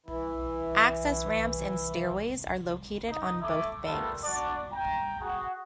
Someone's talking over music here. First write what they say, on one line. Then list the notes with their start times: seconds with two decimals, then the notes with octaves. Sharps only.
Access ramps and stairways are located on both banks.
0.06 E3 E4
3.09 D#4
3.41 A3 E4 E5 D6
3.84 G3 A3 B3 F4 A4 A#4
4.24 D4 F#4 D5
4.72 G5 A#5
5.21 F#4 G#4